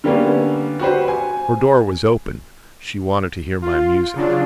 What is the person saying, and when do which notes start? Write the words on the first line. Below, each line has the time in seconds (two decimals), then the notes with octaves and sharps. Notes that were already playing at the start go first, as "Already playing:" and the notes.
Her door was open: she wanted to hear my music.
0.04 D3 G3 A#3 B3 C#4
0.79 F#4 G4 B4 C5
1.08 G#5
3.62 F4
4.15 C#3 F#3 D4 F4